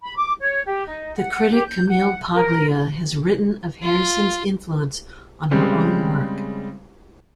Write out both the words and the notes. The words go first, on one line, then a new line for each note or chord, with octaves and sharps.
The critic Camille Paglia has written of Harrison's influence on her own work.
B5
D6
C#5
G4
D#4
F#5
G4
G6
F#5
A#4
F4
C#3 G3 G#3 C4 C5